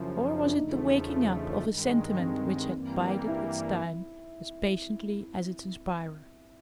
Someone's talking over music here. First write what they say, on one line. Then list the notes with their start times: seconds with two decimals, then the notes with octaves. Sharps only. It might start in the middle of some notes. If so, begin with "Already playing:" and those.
Or was it the waking up of a sentiment which had bided its time as patiently as its inspirer?
Already playing: F#2 C#3 F3 E4
0.44 D4
0.56 E2 C#3 F3 A3 D#4
1.65 G2 D#3 G#3
2.18 C4
2.73 G2 E3 G3 A#3
3.27 E4